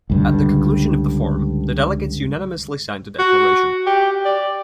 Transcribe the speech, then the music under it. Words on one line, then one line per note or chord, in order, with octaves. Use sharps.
At the conclusion of the forum, the delegates unanimously signed a declaration.
C#2 G2 D3
F#4
G4
D5